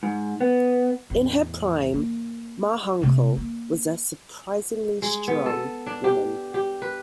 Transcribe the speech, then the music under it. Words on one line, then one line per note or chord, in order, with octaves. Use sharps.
In her prime, Ma Hunkel was a surprisingly strong woman.
G#2
B3
E2 A2
A#3
C3 A3
A#3
G#3
B3
A4
D4
G4
G4
B4